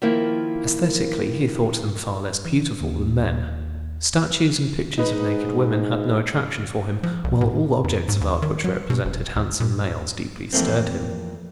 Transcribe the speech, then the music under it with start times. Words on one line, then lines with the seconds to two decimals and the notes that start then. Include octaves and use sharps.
Esthetically, he thought them far less beautiful than men. Statues and pictures of naked women had no attraction for him, while all objects of art which represented handsome males deeply stirred him.
0.02 D#3 F3 A#3 E4
2.45 E3
2.80 D#2
4.98 G#2 D#4 B4
7.03 F3
7.24 C2
7.41 A2
7.84 F2
8.08 G#2
8.21 D#2
8.42 D#3
8.64 F#3
8.90 B2
9.05 E1
9.36 D2
9.60 A#2
10.53 F2 E3 A3 A#3 C4